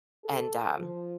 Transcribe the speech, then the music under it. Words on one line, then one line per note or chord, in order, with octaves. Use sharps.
and, um,
A4
F3